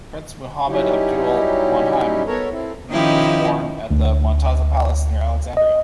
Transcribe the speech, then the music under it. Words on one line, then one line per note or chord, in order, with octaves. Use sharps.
Prince Muhammad Abdul Moneim was born at the Montaza Palace, near Alexandria.
F#3 G3 C#4 D#4 E4 G4
B3 A4 A#4 C#5
C4 E4 A4
D#3 F3 C#4 D#4 E4 G4
D2
D#5